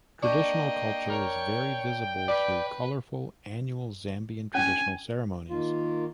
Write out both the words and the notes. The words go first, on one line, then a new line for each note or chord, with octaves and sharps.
Traditional culture is very visible through colourful annual Zambian traditional ceremonies.
A#3 D4 D#5 G5 C#6
A#4 C#5
B4 D5
C#4 G#5
D#3 A#3 F4